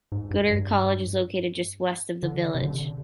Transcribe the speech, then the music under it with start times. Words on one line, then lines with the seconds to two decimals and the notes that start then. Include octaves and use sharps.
Goddard College is located just west of the village.
0.12 G#2
0.31 G2
0.50 G2
2.23 D3
2.55 C3
2.62 D3